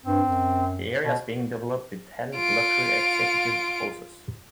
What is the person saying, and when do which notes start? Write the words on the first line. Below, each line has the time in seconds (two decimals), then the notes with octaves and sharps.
The area is being developed with ten luxury executive houses.
0.06 G2 C4
0.27 F#2
1.04 B2
2.36 F4 D7